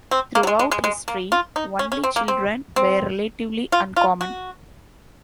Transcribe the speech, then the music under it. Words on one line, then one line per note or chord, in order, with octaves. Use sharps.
Throughout history, only children were relatively uncommon.
C4
A#3
F#3
G#3
G#3
G#3
G#3
A#3
F4
D#4
C#4
C#4
C4
A#3
C4
C4
F4
F4
F#4